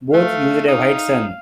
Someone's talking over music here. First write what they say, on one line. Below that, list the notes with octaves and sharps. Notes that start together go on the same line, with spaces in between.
Both used a white sun.
A3 F5
D#4 F5